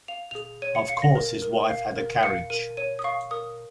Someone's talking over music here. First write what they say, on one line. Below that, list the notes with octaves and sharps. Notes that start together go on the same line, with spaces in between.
Of course his wife had a carriage!
F5 F7
G#4 F7
C#5 D#7
C#7
F5 C#7
A#6
A#4
A#4
F5
A#4
F5 C#7
A#4 D#7
C#5 D#7
D#6
F5 C#6
A#4 D#6